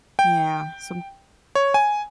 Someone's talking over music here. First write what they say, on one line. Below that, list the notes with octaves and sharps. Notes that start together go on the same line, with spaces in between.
yeah, so
G5
C#5
G#5